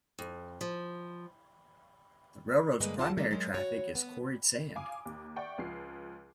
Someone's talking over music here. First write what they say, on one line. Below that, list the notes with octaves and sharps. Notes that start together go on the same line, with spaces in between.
The railroad's primary traffic is quarried sand.
F2
F3
G2 D3 G#3 A#3 B4 D#5
D#2 F4 G#4 F#5 A5
D#3 G3 A3 A#3 C#4 D#4
F#3 G#3 A#4
F#4 C#5
B3
F5 G#5 D6 D#6
D#2
D5 E5 F#5 G5 C#6
C#2 F3 C7